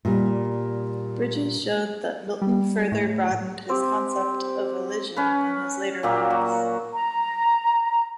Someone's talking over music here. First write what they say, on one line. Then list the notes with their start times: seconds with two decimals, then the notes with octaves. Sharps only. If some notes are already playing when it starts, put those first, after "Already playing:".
Bridges showed that Milton further broadened his concept of elision in his later works.
0.05 A#2 G3
2.42 G3
2.92 A2
3.69 C4 G4
5.17 C#4 B4
6.03 A#2 F#3 A#3 G4
6.30 F#4
6.94 A#5